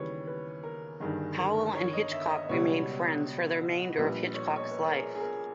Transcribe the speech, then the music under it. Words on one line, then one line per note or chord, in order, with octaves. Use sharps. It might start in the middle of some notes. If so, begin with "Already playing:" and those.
Powell and Hitchcock remained friends for the remainder of Hitchcock's life.
Already playing: D#2 C#3 E3 G3 B4 C#5
B4
A#4
G1 G2 D#3 G#4
A#4
C#5
D#5
E5
D#5
D#5
C#2 B2 G3 C#5
A#1 A#2 G3 B4
C#5
D#5
C#5
B4
A#4
G#4
G#4
A#4